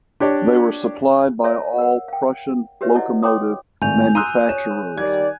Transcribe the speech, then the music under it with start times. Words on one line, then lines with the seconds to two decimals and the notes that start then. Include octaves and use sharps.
They were supplied by all Prussian locomotive manufacturers.
0.20 D4 G4 C#5 D5
1.44 A4 C#5 D5 E5
1.78 A#4 F#5
2.08 F5 G5
2.81 F#4 G4 B4 C#5 E5
2.95 E4 A4 D5 D#5 F#5
3.23 C#5 G5 C6 D6 D#6
3.82 G#1 A2 G#5 G6 F7
4.15 A#5 C6 D#6 E6 F#6 D#7
4.49 C#5 E7
4.98 D#3 G3 D5 G#6